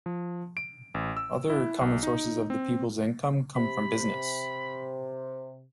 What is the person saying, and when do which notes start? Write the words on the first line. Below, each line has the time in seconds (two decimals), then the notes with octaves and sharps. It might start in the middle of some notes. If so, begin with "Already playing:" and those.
Other common sources of the people's income come from business.
0.06 F3
0.57 D7
0.94 A1
1.17 E6
1.50 E4
1.81 B1
2.03 D#4
2.50 C4
3.56 C3 B5